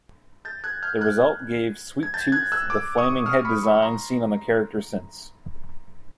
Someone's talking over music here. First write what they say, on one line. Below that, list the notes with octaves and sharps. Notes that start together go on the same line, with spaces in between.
The result gave Sweet Tooth the flaming head design seen on the character since.
G6 A6
F#6 G#6
F6 G6
F#6 G#6
G#6
G6 A6
F#6 G#6
E6 F#6
D6 E6
C#6 D#6
D#6 F6
B5 C#6
B5 C#6
A#5 C6